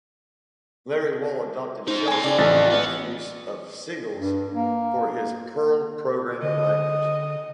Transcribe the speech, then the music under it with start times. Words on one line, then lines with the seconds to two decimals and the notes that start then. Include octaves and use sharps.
Larry Wall adopted shell scripting's use of sigils for his Perl programming language.
1.88 D#4 G#4 C5
2.08 C4 A4 C#5 G5 G#5
2.24 C#3 A4 D5
2.38 A1 C4 F4 A6
2.70 B3
4.16 G2
4.54 A#3
6.42 D3 D#5